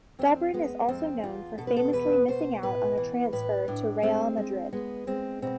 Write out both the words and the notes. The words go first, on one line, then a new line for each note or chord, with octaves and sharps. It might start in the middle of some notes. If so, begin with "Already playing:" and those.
Dobrin is also known for famously missing out on a transfer to Real Madrid.
F2 C4
G#3 B3
F2 C4
E2 F4
B2 A4
B4
A4
E2 B4
B2 C5
A2 B4
E3
A2 B4
A2 D4
G#3 C4
G#3
G#3 B3
G#3 C4
B2 C4